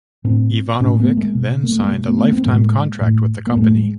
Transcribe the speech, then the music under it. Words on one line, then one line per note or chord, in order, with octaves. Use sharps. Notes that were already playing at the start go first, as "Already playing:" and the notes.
Ivanovic then signed a lifetime contract with the company.
A2 C4 D4
A2 B3 C#4
A3 B3
G#3 A#3
B2
A#3
A3
G#3 A#3
B2
A3 B3
A3 B3
A#3 C4
A2 G#3 A#3
A2
A#3
A2 G3 A3
G#3